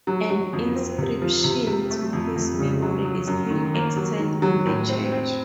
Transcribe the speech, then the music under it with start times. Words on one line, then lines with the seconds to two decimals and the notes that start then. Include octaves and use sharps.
An inscription to his memory is still extant in the church.
0.07 F#3
0.30 F#3
0.53 F2
0.75 C4
0.98 C3
1.22 F3
1.44 C3
1.67 C3
1.91 A3
2.13 F2
2.36 F2
2.59 C#3
2.82 F#3
3.05 F#3
3.27 F#2
3.50 D#3
3.74 A#3
3.96 F#3
4.19 D#3
4.42 F#3
4.66 A2
4.89 C4
5.12 C4